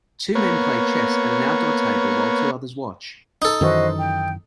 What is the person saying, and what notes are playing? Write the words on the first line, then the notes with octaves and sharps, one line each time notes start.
Two men play chess at an outdoor table while two others watch.
A#3 B3 C#5
D#4 A4
F#2 D#3 E3 F#4 C5 D#5
G5